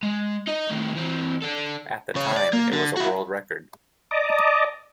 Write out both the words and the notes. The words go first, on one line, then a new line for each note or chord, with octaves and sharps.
At the time, it was a world record.
G#3
D#4 D#5
A2 D#3
E3 C4
D4 A4
C#3 C#5
C#5 D5
A#3
D3
E4 F#4
D5 D#5 A5 A#5 D6 D#6